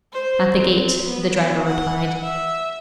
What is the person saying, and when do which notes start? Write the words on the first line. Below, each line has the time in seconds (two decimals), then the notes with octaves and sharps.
'At the gate,' the driver replied.
0.13 C5
0.55 C4
1.04 B3
1.66 F#5
2.21 E5